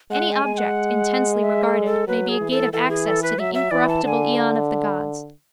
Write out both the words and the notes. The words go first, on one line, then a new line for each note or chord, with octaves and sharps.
Any object, intensely regarded, may be a gate of access to the incorruptible eon of the gods.
G#3 F#5
G#5
G#3
G#5
F#5
E5
A4
A4
F#3 B4
G#4
E3
A4
E3 A4
G#4
A4
B4
F#3 E5
E5
E3 D5
A5
D3 G#5 A5